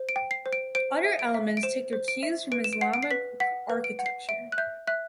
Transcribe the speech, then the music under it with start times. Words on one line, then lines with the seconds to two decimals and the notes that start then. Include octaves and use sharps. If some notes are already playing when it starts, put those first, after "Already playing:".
Other elements take their cues from Islamic architecture.
Already playing: C5
0.09 D7
0.16 G5
0.31 C7
0.46 C5
0.53 D7
0.75 C5 D7
1.05 E5
1.19 D7
1.34 E5
1.57 D7
1.63 C5 E7
1.93 C5
2.08 D7
2.23 E5
2.52 B4 D7
2.64 E7
2.73 D7
2.81 F#5 C7
2.94 D7
3.03 C7
3.11 B4 B6
3.40 F#5 B6
3.70 B4
3.84 D7
3.99 F#5
4.06 C7
4.29 E5 D7
4.52 F#6
4.58 E5 G6
4.87 E5 F#6